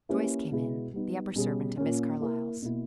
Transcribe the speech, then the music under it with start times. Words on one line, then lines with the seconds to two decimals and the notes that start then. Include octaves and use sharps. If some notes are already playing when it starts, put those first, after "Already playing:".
Joyce came in--the upper servant at Miss Carlyle's.
0.09 A#3 C#4 E4 G4 B4
0.51 B2 G#3 B3 E4 G#4
0.93 G3 B3 D#4
1.36 B2 G3 C#4 G#4
1.77 A#2 A#3 C#4
2.21 A#3 E4 A#4
2.62 B2 A#3 E4